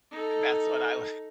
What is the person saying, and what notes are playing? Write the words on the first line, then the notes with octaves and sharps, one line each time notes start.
That's what I wa
D#4 A4